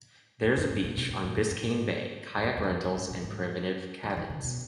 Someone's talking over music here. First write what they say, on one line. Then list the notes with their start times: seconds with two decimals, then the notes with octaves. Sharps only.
There is a beach on Biscayne Bay, kayak rentals, and primitive cabins.
0.43 F#2
0.57 F#2
0.70 G#2
0.84 A#2
0.97 B2
1.10 A#2
1.24 G#2
1.37 F#2
1.51 F#2
1.64 G#2
2.38 G#2
2.43 F#2
2.58 F#2
2.64 F2
2.84 F#2
2.97 G#2
3.10 A#2
3.24 G#2
4.03 F2
4.17 D#3
4.30 C#3
4.44 B2